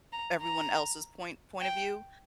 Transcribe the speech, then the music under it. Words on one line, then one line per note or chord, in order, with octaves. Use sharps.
everyone else's point point of view,
A#5
A#5
G5